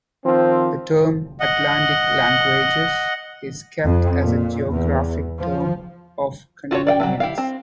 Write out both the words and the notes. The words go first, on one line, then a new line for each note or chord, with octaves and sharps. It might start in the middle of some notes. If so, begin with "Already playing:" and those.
The term "Atlantic languages" is kept as a geographic term of convenience.
D#3 F3 C4
D#5 F#5
F2
A#2
E2
F3
F4 F#4 C5 C#5
D5 F5 G5
F#3 G3 A3
E4 G4 F5
C4